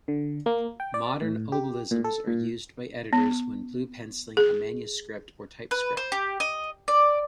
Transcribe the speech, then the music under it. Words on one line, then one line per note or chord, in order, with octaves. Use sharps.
Modern obelisms are used by editors when blue-penciling a manuscript or typescript.
D3
A#3
G5
D5
A2
G4
A#2
A4
A#2
B3
G#4
B4
C5
G4
D#5
D5